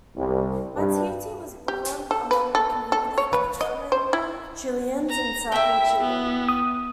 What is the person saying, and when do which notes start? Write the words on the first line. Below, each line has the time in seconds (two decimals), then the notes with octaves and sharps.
Matthei was born among a community of German Chileans in Southern Chile.
0.15 C2
0.77 G2
1.68 G4
2.11 A4
2.31 B4
2.55 A4
2.92 A4
3.18 C#5
3.33 B4
3.61 D#5
3.92 C5
4.13 E4
5.09 A#5
5.52 E4 E5 G5
6.00 B3
6.49 D#6